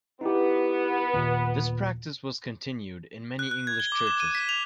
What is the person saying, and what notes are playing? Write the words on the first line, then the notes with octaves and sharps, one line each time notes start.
This practice was continued in many English churches.
B3 D#4 E4 G4
D#2 A#2
F#6
F#6
G#6
G7
D6
E7
D#7
B6
F7